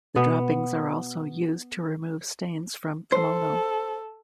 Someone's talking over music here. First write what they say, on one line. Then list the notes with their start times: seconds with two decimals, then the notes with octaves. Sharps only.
The droppings are also used to remove stains from kimono.
0.16 B2 B3
3.12 A4 C5